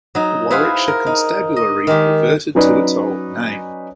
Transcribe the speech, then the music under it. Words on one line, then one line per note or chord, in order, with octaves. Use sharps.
Warwickshire Constabulary reverted to its old name.
F#3 D#4
E4 G#4 B4 C5 F5 F#5
A#4
D#4
D#5
D#3 G#3 G4
F#3 C#4 D#4 B4 D5